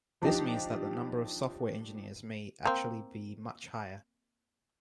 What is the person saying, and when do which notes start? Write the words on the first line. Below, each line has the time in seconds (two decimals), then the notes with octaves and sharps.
This means that the number of software engineers may actually be much higher.
0.22 F3 D4 D#4 G4
2.65 A#3 C4